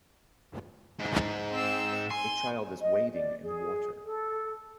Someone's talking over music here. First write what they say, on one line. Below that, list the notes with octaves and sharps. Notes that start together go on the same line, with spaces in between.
A child is wading in the water.
G#2
C4 E6
G#5 C6
D#5
D5
G#4
A4